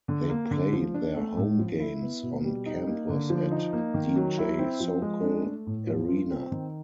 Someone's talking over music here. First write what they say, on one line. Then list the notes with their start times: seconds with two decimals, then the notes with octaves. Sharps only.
They play their home games on campus at D. J. Sokol Arena.
0.08 D3
0.30 A#3
0.51 D3
0.73 F3
0.94 D4
1.16 A3
1.37 A2
1.59 F3
1.80 E4
2.02 B3
2.23 B2
2.44 G3
2.66 D#4
2.87 A#3
3.09 D3
3.30 F3
3.52 D#4
3.73 A#3
3.94 D#3
4.16 F#3
4.38 E4
4.59 C4
4.80 F3
5.02 G#3
5.24 D4
5.45 A3
5.67 A2
5.87 F3
6.09 F4
6.31 C4
6.52 D#3